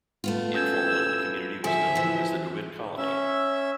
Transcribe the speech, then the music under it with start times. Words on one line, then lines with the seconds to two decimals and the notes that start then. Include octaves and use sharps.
Informally, the community was known as the DeWitt Colony.
0.24 A3 B3 F4
0.54 C#4 E6 G6 G#6
1.64 D3 F3 G#4 E5 G#5
1.95 E3 F3
2.98 C#4 E5